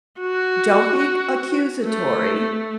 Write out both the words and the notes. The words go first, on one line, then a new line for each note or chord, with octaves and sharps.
don't be c accusatory,
F#4
A3